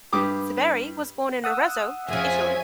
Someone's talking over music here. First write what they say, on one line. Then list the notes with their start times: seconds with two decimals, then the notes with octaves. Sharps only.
Severi was born in Arezzo, Italy.
0.13 G2 G4 D6 D#6
1.44 F#5 D#6 E6
2.08 F2 F3 C#4 F4 G#4 E5 G#5